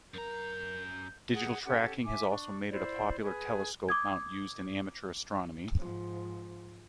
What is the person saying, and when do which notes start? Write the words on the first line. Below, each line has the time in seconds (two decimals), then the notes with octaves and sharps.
Digital tracking has also made it a popular telescope mount used in amateur astronomy.
0.14 F#2 A#4 A#5 G6
1.33 G#4 F#5
1.65 C#4 G4 A4 F#5
2.05 E5 G#5 D6
2.29 D4 C#6
2.71 E4 C5 D5
3.21 G#4 B4
3.89 D6 D#6 G#6
5.79 G#2 F3